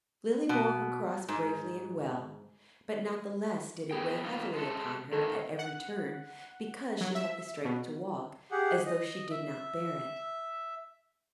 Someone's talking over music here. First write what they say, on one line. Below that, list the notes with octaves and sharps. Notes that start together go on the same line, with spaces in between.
Lily bore her cross bravely and well; but not the less did it weigh heavily upon her at every turn because she had the strength to walk as though she did not bear it.
B2
G#2
B3 G#4 G5
A#3 D#4 F4
G#3 A4
G#2 D#3 A4
F#5
F#3
E5
B2
G4 G#4 F#5
D#5
E5